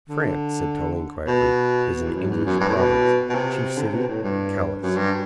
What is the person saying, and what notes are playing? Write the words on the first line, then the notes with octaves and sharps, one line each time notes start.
"France," said Toline, quietly, "is an English province; chief city, Calais."
D3
B2
E2
F#2
E2
F#2
G2
A2
B2
B2
C3
D3
C3
B2
A2
G2
F#2
G2